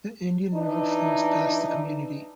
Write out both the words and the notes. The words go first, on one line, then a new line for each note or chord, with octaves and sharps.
The Indian River flows past the community.
E3 D4 D#4